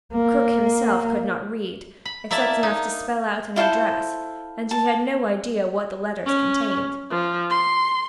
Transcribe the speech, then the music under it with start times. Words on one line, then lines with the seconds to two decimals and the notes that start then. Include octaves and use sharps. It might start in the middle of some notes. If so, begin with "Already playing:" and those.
Krook himself could not read, except enough to spell out an address, and he had no idea what the letters contained.
0.14 A#3
2.05 B5
2.31 A#3 E4 D5 E5 A5
2.63 D#4
3.56 E4 F4 A4 C5
4.71 A5
6.26 C#4
7.10 F3
7.50 C6